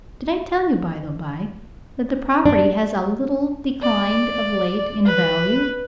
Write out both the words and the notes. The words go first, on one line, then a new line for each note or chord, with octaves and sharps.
Did I tell you, by-the-by, that the property has a little declined of late in value?
D4
D5
B4